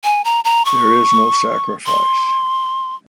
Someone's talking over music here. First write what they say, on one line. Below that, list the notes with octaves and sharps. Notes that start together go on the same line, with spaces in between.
There is no sacrifice.
G#5
A#5
A#5
C#6
C6